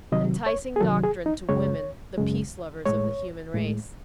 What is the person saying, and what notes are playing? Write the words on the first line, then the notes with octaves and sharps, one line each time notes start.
Enticing doctrine to women-the peace lovers of the human race.
C3 D#3 F#3 D#5
C#5
G#4
C3 D#3 F#3 A4
G#4
D#4
F#2 C#3 G#3 C#5
F#2 C#3 G#3
A2 G#3 C#5
A2 G#3